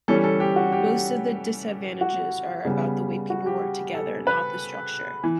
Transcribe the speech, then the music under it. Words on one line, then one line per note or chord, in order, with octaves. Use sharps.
Most of the disadvantages are about the way people work together, not the structure.
E3 G3 C#4 A4
A4
G4
F#4
G4
F#4
C#3 G3 B3
F#4
G4
A4
B4
E3